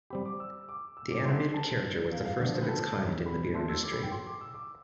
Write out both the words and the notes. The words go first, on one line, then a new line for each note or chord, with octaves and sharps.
The animated character was the first of its kind in the beer industry.
G3 C4 G4 B5
D6
E6
D6
E6
D6
G3 B3 E4 A4 C5 C6
A5
F5
F5
D3 F3 A3 D4 D5
C5
B4
A4
B5
A3 E4 A4 C6
E6
D6
B5
G5
C6
D6
E6
D6